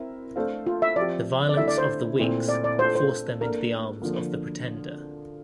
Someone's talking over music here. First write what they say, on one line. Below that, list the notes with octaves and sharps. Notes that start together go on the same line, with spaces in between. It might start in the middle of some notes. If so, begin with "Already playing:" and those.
The violence of the Whigs forced them into the arms of the Pretender.
Already playing: C4 E4 A#4 E5
A3 D4 A4 C5 F5
F4
E5
F3 C4 G4 D5
D5
D3 A3 E4 E5
D5
C5
A#2 A3 C4 E4
D5
D5
A3 D4 F4 A4 C5
C5
A#3 D4 A4 A#4
D3 F3 A#3